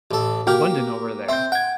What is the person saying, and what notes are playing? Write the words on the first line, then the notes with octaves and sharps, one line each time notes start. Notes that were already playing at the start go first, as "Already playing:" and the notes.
abundant over there.
A1 A4
A#3 F#4 G4 G5 F6
C4 E5 C6 G6
F#5 G5 G#6